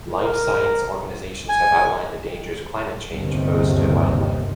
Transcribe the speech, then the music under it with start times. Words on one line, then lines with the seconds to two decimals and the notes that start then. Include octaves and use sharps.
Life science organizations have outlined the dangers climate change pose to wildlife.
0.20 A#4
1.49 G#5
3.12 G1 D#2 C3